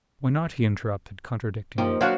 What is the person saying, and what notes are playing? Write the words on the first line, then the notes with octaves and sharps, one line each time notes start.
"Why not!" he interrupted, contradicting me.
F3 A#3 D#4 G4
F#3 D4 F#4 C5 F5 F#5